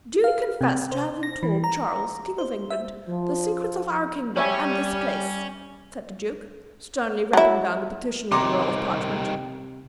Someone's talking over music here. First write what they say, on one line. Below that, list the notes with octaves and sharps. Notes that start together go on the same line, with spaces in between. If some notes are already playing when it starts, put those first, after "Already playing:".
"Do you confess to having told Charles, King of England, the secrets of our kingdom and this place?" said the duke, sternly rapping down the petition with a roll of parchment.
F5
C3
C5
A#6
E3
A#5
C5
E5
F3
G3 C#4 C#5 E5 G#5
F#3 E4
C2 C3 D#3 A#5 C6 D6